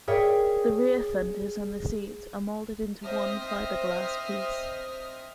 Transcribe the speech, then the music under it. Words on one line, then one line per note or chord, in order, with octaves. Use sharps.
The rear fenders and seat are molded into one fiberglass piece.
G#4 A#4 C#5 D5 E5 G5
C4 C5 D#5 E5 D#6 F6